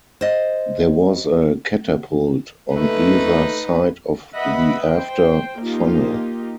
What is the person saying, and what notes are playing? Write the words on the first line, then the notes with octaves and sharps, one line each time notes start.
There was a catapult on either side of the after funnel.
C5 D#5
A3 D#4 B4
B4 D#5 E5 F#5 B5
C5 G5
A#3 D#4 F4 G4